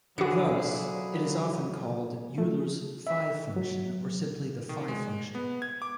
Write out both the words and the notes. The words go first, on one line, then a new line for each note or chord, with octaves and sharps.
Thus, it is often called Euler's phi function or simply the phi function.
D3 F3 F#3 E4 F#4 G#4 C#7
A3
E5
F#3
D#3
G#3
B3
G#6
D6